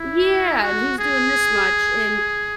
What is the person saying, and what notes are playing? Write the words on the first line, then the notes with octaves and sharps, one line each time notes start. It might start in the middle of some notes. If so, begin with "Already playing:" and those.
Yeah, and who's doing this much, and
Already playing: E4
F#4
G#4